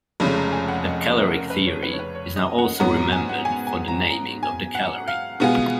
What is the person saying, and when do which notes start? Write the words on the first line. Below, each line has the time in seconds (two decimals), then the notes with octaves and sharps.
The caloric theory is now also remembered for the naming of the calorie.
0.20 F1 F2 C#3 G#3 B5
0.36 A#5
0.52 G#5
0.68 F#5
0.85 D#5
1.01 D#5
1.17 A#4
1.33 A#4
1.50 B4
1.67 C#5
1.83 B4
1.93 C#5
1.99 B4
2.15 C#5
2.36 D#5
2.58 F#5
2.80 G#2 F#3 B3 A#5
2.96 A#5
3.12 G#5
3.29 F#5
3.45 G#5
3.67 G#5
3.88 A#5
4.10 A#5
4.43 G#5
4.75 F#5
5.08 F5
5.40 B2 G#3 B3 F4 G#4